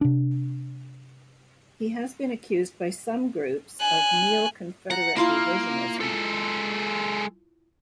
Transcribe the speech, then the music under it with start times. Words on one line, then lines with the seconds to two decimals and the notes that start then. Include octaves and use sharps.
He has been accused by some groups of "Neo-confederate revisionism".
0.01 C3 D4
3.81 G#5 F#6
4.90 F#5 A#5
5.16 A#3 E4 F4 F5
6.00 G#3 A4